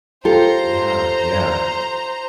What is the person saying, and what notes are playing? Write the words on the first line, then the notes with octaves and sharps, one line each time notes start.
yeah, yeah.
F4 G4 A4 C5 A#5